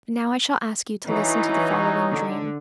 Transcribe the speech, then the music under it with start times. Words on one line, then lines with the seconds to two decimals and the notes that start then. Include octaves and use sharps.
And now I shall ask you to listen to the following dream.
1.09 E3 F#3 C#4 D#4
2.10 D3